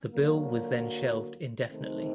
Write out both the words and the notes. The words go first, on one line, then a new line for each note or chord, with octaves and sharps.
The bill was then shelved indefinitely.
D3 F#3 A#3
C3 D#3 A3 C4 D#4